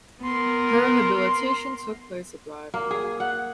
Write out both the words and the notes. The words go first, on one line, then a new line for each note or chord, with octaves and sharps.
Her habilitation took place abroad.
B3 A#4 C6
A#3
G#4
F#5